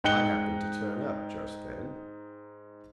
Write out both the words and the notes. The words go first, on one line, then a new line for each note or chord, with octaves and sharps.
I happened to turn up just then.
G#2 D#4 G5 F#6 C#7 G7